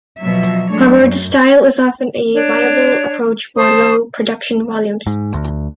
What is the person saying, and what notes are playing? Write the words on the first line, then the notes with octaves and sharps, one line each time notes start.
However this style is often a viable approach for low production volumes.
B2 F3 F#3 E5
F#3 G#3 A3 D4 C#5
F#2
D4 C#5
C5 A5 D#6
G#2
D2